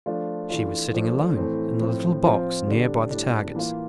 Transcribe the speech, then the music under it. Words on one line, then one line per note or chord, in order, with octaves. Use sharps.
She was sitting alone in a little box near by the targets.
F3 A3 D4 F4
E3 A3 D4 F4
F3 A3 D4
A2 E3 A3 C4
A2 F3 C4
F3 C4 F4
D3 G3 D4
A2 G3 D4
E3 A#3 F4